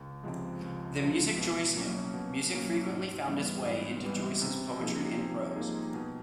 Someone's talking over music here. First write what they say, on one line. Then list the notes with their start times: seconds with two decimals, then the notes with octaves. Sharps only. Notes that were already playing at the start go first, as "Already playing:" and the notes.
The music Joyce knew: Music frequently found its way into Joyce's poetry and prose.
Already playing: C#2
0.23 C3 F3 G#3
0.62 C#2
1.00 C3 F3 G#3
1.38 B2
1.76 F#3 A#3 C#4
2.14 B2
2.52 F#3 A#3 C#4
2.90 G#2
3.28 E3 G3 B3
3.66 G#2
4.04 E3 G3 B3
4.42 C3
4.80 F3 A#3 D#4 G#4
5.18 C3
5.56 F3 A#3 D#4 G#4
5.94 B2